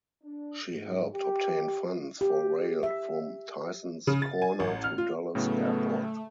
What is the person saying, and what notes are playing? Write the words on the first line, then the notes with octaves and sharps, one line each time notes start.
She helped obtain funds for rail from Tysons Corner to Dulles Airport.
D4
G#2
G4
G4
E5
C#3
A6
G#5
A1
F6
F4
A2 C#3 F#3 A3 B3